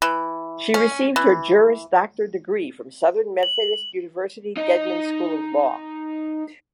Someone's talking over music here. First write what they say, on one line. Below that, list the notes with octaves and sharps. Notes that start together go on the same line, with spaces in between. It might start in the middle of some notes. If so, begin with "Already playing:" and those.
She received her Juris Doctor degree from Southern Methodist University Dedman School of Law.
E3
C#4
E3
F#7
D#4 D#5